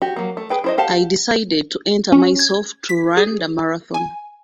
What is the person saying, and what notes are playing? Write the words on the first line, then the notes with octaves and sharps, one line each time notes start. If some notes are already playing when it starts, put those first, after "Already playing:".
I decided to enter myself to run the marathon.
F#4 G4
F#3 A#3
A3
G#4 B4 G5
E4 C5 D#5
G4 F5 F#5 A5
C#4
G#6
B6
G#4
G#5